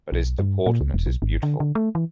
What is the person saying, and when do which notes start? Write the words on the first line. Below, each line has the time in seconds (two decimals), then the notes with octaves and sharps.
But his deportment is beautiful.
0.12 B1
0.39 G2
0.66 A#2
0.81 C#2
0.94 E1
1.06 B1
1.22 G#1
1.43 D3
1.60 D3
1.75 A3
1.95 E3